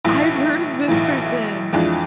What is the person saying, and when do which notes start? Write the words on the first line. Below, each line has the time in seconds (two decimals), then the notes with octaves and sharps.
I've heard of this person.
0.05 B1 A2 E3
0.88 B1 A2 E3
1.73 F2 E3 G#3 D4 F4